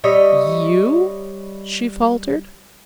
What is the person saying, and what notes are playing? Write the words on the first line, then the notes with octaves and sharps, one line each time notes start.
"You?" she faltered.
G3 C#5 D#5 E5